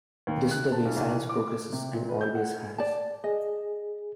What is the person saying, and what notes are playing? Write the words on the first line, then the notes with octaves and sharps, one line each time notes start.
That is the way science progresses and always has.
D#2
F#6
A5
B1
C2
E3
D6
C3
A#2
B4
G6
F#5
D5 A5
G#4 D#5